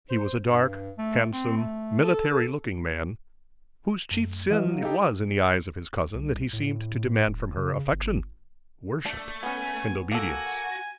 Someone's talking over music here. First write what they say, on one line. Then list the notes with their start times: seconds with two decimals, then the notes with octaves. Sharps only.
He was a dark, handsome, military-looking man, whose chief sin it was in the eyes of his cousin that he seemed to demand from her affection, worship, and obedience.
0.10 C5
0.46 G2
0.98 A3
1.33 C4
1.57 A3
2.03 A4
4.11 F#2 A3
4.51 E3 D#5 F5
4.67 F#3
4.82 D#4 G4 A4
6.14 C2
6.53 A2
7.27 D1
7.57 C#3
7.91 G1
9.05 A3 D4
9.43 B3 C#4 G#5
10.12 A#3 F#4 A4 G#5